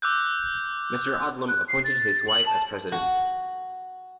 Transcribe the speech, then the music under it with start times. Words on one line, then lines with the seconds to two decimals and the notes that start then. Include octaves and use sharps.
Mr. Odlum appointed his wife as president.
0.02 D6 E6 F#6 G6
1.48 F#6
1.68 C7
1.85 A6
2.28 F#7
2.46 A5
2.92 F#4